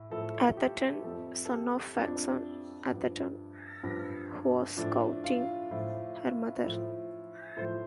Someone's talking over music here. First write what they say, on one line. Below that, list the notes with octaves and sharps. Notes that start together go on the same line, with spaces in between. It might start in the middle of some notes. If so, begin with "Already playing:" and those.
Atherton, son of Faxon Atherton, who was courting her mother.
Already playing: A2
A2 F3 A4
G4
F2 F3 A4
A4
G4
F2 F3 D4
G2 F3
G2 F3
A2 F3 D4
F4
A2 F3
A2 F3
A2 F3 C5